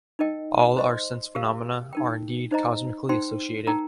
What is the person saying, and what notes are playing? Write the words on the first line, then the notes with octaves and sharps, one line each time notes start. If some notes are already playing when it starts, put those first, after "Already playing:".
All our sense-phenomena are indeed cosmically associated.
D#4 A#4 D#5 G5
C5 D#5 C6
G4 A#4 F5
D#4 A#4 G5
D#4 C5 D#5 A#5
D#4 C5 G5 C6
D#4 A#4 G5 A#5